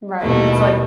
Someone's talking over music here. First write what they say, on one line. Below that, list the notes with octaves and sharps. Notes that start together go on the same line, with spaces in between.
Right, it's like
D#2 B2 G3 A3 E4